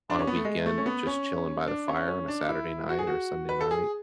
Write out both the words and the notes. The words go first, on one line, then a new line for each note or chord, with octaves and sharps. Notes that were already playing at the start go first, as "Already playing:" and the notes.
on a weekend just chilling by the fire on a Saturday night, or Sunday night,
D4
C#4
B3
A3
G#3
A3
C#4
B3
C#4
D4
C#4
C#4
D4
E4
F#4
G#4
F#4
B4
A4
G#4